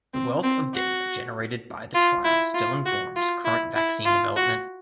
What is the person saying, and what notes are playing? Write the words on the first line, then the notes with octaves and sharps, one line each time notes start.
The wealth of data generated by the trial still informs current vaccine development.
C4
C4
F#4
F4
E4
F4
F#4
F4
E4
E4
F4
F#4